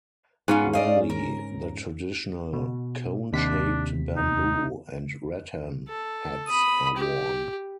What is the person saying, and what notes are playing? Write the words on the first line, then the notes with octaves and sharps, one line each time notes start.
Rarely, the traditional cone-shaped bamboo and rattan hats are worn.
G#2 B3 C#4 F4 F#4
D5 D#5 F5
A#4
B2
D#2 C3 D4 B6
D#4
A4
B5 D#6
G4